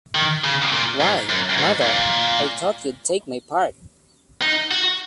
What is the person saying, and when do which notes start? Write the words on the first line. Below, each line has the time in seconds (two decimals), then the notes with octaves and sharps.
Why, mother, I thought you'd take my part!
0.15 D#3
0.44 C#3
0.73 A#2
1.00 G#2
1.29 F#2
1.58 G#2
1.82 G#2
1.86 A#2
4.42 D#4
4.71 F#4